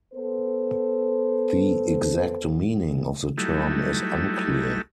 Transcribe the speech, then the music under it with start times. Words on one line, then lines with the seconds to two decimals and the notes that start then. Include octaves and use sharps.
The exact meaning of the term is unclear.
0.14 B3 A4 C5
3.38 F#3 G3 A3 D#4 E4